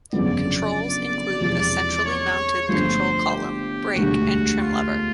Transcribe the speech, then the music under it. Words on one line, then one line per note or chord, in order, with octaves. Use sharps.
Controls include a centrally mounted control column, brake and trim lever.
G1 F2 C#3 F#3 B3 D5
E1 E2 C3 F3
C#5
G1 G2 D3 F3 A3 C5
G4
E1 D2 D3 G3 F#4
F4